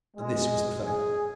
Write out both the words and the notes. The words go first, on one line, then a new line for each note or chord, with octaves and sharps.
And this was the fact.
G#3
G#4